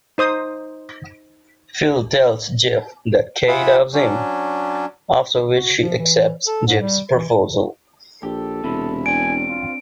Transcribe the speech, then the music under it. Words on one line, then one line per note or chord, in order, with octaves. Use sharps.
Phil tells Jeff that Kay loves him, after which she accepts Jeff's proposal.
D#4 C5 D#6
F4 G#4 E5 F#5 B5
F#3 C#4 D4
F#4
F3
E3
A4
G#2
G3
E3
A#1 G4 A4
E1 C3 E4
C4 D4 G#5 D7
F4